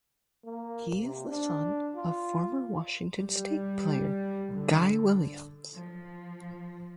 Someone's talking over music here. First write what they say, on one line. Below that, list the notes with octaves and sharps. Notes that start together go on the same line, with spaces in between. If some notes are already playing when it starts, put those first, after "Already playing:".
He is the son of former Washington State player Guy Williams.
A#3
C3
D4
F4
G3
D3
F3